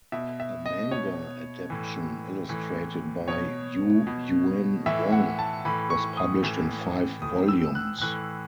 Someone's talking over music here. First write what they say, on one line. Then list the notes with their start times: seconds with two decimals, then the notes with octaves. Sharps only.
A manga adaptation illustrated by Yu Yuen Wong was published in five volumes.
0.12 B2 E5
0.40 E5
0.66 D#5
0.91 B2 C#5
1.70 A2 E3
2.49 A2 E3
3.28 B2 C#5
4.07 B2
4.86 A2 E3 E5
5.12 F#5
5.39 A5
5.65 A2 E3 B5
5.90 C#6
6.17 D#6
6.43 A2 E3
7.22 A2 E3 D#6
7.49 E6
7.75 F#6
8.01 A2 E3 F#6